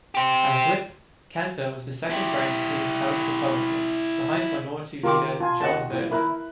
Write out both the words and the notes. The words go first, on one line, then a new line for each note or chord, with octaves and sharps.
As Whip, Cantor was the second-ranking House Republican, behind Minority Leader John Boehner.
G4 C5
E4 G4
D#3 F4 G4 A#4 D6
F4 G#5 A5
D#2 D#3 D#5 F#5 A5
A#2 E3
E4 A#4 B5 F#6